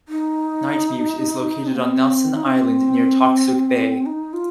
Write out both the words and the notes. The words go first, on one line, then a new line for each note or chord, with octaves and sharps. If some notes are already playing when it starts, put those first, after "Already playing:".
Nightmute is located on Nelson Island near Toksook Bay.
D#4
C4
A#3
C4
D#4
C4
D#4
F4